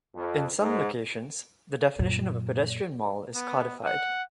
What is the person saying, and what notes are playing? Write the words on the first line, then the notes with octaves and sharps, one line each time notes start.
In some locations, the definition of a pedestrian mall is codified.
F2
G#2
F#2 A#2
B3
F#5